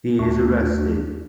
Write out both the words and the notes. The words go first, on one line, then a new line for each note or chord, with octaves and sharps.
He is arrested.
D#2 A3 D4 F#4